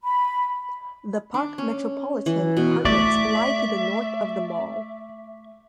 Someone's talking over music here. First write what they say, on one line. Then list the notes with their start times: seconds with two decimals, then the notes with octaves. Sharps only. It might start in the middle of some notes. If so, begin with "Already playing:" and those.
The Parc Metropolitan apartments lie to the north of the mall.
0.03 B5
1.34 D4
1.58 C#4
2.26 E3
2.57 B2
2.85 A3 D5 E5 C#6 D6 B6